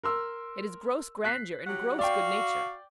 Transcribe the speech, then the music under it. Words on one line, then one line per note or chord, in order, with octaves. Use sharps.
It is gross grandeur and gross good-nature.
A#4 C6 E6
F#6 B6 C7
F#3 G4 F#5
F#4 D5 F5 G5